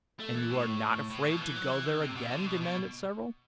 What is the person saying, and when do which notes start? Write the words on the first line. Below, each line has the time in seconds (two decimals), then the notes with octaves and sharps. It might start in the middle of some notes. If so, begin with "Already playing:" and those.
"And you are not afraid to go there again?" demanded several.
0.20 A3
0.35 E3
0.50 A2
1.10 A2
1.26 B2
1.40 E3
1.56 F#3
1.70 E3
1.85 D3
2.00 C3
2.16 B2
2.31 D3
2.46 B2
2.61 B2